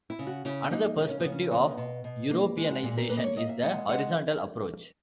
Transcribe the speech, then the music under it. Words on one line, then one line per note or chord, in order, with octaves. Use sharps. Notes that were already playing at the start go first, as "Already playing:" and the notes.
Another perspective of Europeanisation is the 'horizontal approach.
E4
C#3
F#4
C#3 E4
A#3 D#4
C#3 D#4
C#4
C#3 B3
C#4
A#3 B3
B2
B2
A#3
G#3
F#4
A#2 G#4
A#4
A#3 B4
D#5
C#5
A#3 D#5
E5
G#3 F#5
G#3 F#5